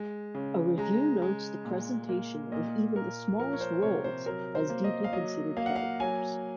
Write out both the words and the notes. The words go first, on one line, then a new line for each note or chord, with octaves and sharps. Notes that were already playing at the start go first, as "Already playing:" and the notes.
A review notes the "presentation of even the smallest roles as deeply-considered characters".
Already playing: G#3
C#3
G#3 A#5
G#3
A#2
A#3
A#2 D#5
A#2 A#4
F3 A#4
C#5
C5
C3 C#5
C5
F#3 A#4
C5
A#3
D#5
F5
F#3 D#5
A#3 F5
F#5
F5
F#3 G#5